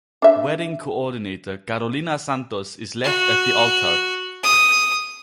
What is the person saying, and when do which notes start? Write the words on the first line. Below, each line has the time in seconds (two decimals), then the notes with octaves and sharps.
Wedding coordinator Carolina Santos is left at the altar.
0.22 D4 E5
3.04 F#4
4.43 D#6